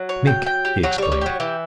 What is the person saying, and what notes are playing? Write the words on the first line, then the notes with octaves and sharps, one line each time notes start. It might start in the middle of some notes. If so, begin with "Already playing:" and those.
"Mink!" he explained.
Already playing: F#3
C#5
G5
G5
G4
F#3 C#5
G3 C#5
G3
F#3 G4
E3 G4